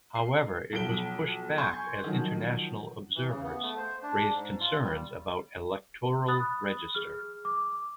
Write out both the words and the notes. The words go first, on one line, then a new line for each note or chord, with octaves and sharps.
However it was pushed back as international observers raised concerns about electoral register.
C7
B1 F3 D7 G7
G#5 C6 C#6 G6 G#6
D#3 F3 F#3
E3
C#3
B3
A3
C5
D4
G#2
F4
G3
B5 D#6 F#6 A6
G#4 F6
D6